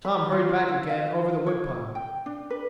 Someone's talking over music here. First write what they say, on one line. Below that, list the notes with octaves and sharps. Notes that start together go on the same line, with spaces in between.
Tom hurried back again over the wood pile.
B5
F4
F4
E4
F5
C#5
G5
D4
B4